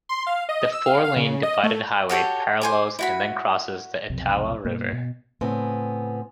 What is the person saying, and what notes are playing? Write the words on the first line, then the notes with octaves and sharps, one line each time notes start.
The four-lane divided highway parallels and then crosses the Etowah River.
C6
F5
D#5
E6
F5
F5
C#3
D#5
A3
F#4 G4 A4 C#5
C5 G#5 D6
E4 F#4 B5
B1 F2 C3
G2 B2 A#3
B2
A2 C#3 B3 C4 G#5